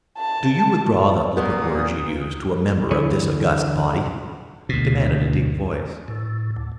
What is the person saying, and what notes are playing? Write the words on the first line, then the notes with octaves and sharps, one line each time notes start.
"Do you withdraw the flippant words you used to a member of this august body?" demanded a deep voice.
A5
A#2 B3 D#6
D3 E3 E4 G#4 C#5
D2 B2
A2
D2